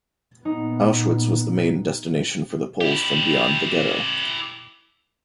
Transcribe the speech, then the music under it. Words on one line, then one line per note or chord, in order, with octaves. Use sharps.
Auschwitz was the main destination for the Poles from beyond the ghetto.
A#2 B3 D#4
E4 G4